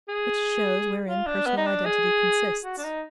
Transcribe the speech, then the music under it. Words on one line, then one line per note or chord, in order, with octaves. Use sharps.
Which shows wherein Personal identity consists.
G#4
F4
D4
B3
D#4
D4
G#4
F#4
D4
D#4